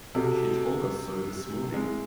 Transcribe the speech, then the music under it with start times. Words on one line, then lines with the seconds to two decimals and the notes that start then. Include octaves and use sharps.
She told us so this morning.
0.15 C3 C4 F#4 A4 D#5 A5
1.73 G#3 A3 C4 E4